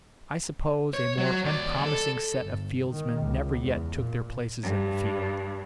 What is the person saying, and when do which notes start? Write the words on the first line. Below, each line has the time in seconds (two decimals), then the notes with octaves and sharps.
I suppose a more unpromising set of fieldsmen never yet took their places in the field.
0.94 C#5
1.18 F#3
1.44 D#2 D5
1.85 A4
2.38 G1
2.90 D#3
3.21 C#2
3.66 E2
3.95 A#2
4.62 G2